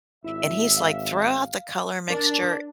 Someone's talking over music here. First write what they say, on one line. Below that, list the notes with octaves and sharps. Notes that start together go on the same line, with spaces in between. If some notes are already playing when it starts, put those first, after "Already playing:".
And he's like, "Throw out the color mixture"
G#1 E4 E5
F5
D4 A#4